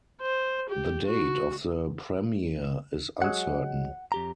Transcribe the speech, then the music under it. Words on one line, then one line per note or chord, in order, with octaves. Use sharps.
The date of the premiere is uncertain.
C5
G4
F#4
F#3 G#3 F#5
F2 G4 A#5